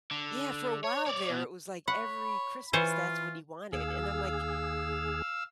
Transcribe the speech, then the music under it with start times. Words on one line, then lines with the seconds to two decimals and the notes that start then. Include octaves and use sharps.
Yeah, for a while there, it was like every Christmas, that's what he wanted, and I'm like,
0.11 D3
0.84 C#5
1.06 C#5 D5
1.29 B2
1.88 C#5 F#5 B5
2.73 E3 F4 C5 C#5
3.72 D#2 G#4 F5 E6